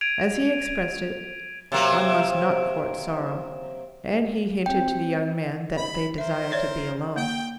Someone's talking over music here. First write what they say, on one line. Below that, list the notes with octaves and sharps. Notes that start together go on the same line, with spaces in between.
As he expressed it, "one must not court sorrow," and he hinted to the young man that they desired to be alone.
G#6 D7 D#7 F7
C3 F#3 A#3
C4 G5
B5
A#4 C5 E5
C#5 D5 E5
A#3 G5